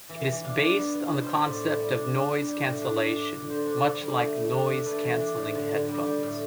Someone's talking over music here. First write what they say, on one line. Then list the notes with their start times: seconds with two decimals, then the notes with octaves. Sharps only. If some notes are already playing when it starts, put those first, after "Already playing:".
It is based on the concept of noise cancellation, much like noise-cancelling headphones.
0.09 E3 E5
0.27 E3
0.44 D4 F5
0.61 D4
0.79 B3
0.95 B3
1.13 B2
1.23 C5
1.29 B2
1.34 D5
1.47 A2 E5
1.64 G3
1.80 G3
1.98 D4
2.15 D4
2.31 G3
2.48 G3
2.66 A2
2.81 D4 E5
3.00 D4
3.16 D4 D5
3.33 D3
3.50 D3 C5
3.67 D4
3.84 D3
4.02 G3
4.19 A3
4.36 A3
4.53 D4
4.70 D4
4.78 A4
4.86 A3 B4
5.03 E3
5.20 D4
5.37 A2
5.55 D3
5.71 D3
5.88 G3
6.06 G3
6.23 A2